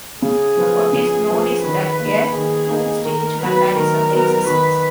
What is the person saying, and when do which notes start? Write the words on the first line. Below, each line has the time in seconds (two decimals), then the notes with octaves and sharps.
What is known is that a two-stage mechanism exists.
0.22 C#3 G#4
0.57 F3 B3 F4
0.93 C#3
1.28 F3 B3 F4
1.63 D#3 B4
1.99 A#3 D#4
2.34 D#3 G#4
2.69 A#3 D#4
3.05 D#3 A#4
3.41 F#3 B3 B4
3.76 D#3 A#4
4.11 F#3 B3
4.46 D#3 B4